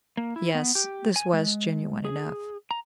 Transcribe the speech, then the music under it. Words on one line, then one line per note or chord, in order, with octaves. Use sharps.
Yes; this was genuine enough.
A#3
E4
B3
G4
G#5
G#3
G#4
A#5